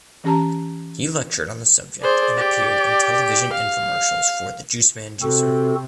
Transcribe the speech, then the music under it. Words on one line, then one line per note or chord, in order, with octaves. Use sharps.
He lectured on the subject and appeared in television infomercials for the Juiceman Juicer.
E3 C#4 G4 A5 A#5
G#4 C5 D5
G4
F5
C3 C4 F#4 A4